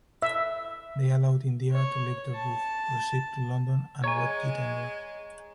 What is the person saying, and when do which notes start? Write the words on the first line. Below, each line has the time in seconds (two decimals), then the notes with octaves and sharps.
They allowed Indira to leave their roof, proceed to London and wed Jitendra.
0.22 E5
1.71 C#5
2.34 A5
4.04 G#3 C#5 G#5 A#5 C#6